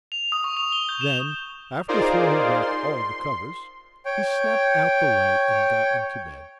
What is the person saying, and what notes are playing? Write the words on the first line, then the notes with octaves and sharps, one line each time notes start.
Then, after throwing back all the covers, he snapped out the light and got into bed.
F7
D#6
C#6
F7
G7
G6
E7
D#4 F4 G#4 A#4 C5 D5
C6
C#5 G5